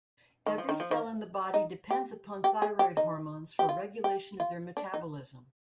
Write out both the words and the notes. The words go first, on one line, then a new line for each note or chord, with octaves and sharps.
Every cell in the body depends upon thyroid hormones for regulation of their metabolism.
D#3
F3
D#3
F3
D#3
D#4
G4
G4
G#4
G4
D#4
G4
F4
G4
F4
D4
D#4